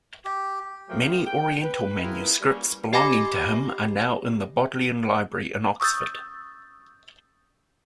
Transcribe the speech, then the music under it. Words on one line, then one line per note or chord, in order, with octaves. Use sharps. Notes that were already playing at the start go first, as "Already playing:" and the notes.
Many oriental manuscripts belonging to him are now in the Bodleian Library in Oxford.
G4
F3 F#3 A3 A#4 G5
G5
B4
B3 E4 F4 G#4 A#4 B4
G3 A#3 C#4
G4 D#5 G#5 B5 D6 A#6
C#6 D#6 E6 G6 A6